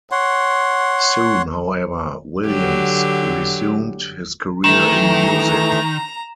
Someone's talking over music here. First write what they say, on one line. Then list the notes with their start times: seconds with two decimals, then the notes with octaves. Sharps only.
Soon, however, Williams resumed his career in music.
0.11 C#5 F#5 C6
2.46 D3 F#3 G4
4.64 D#3 E3 A3 A#5 E7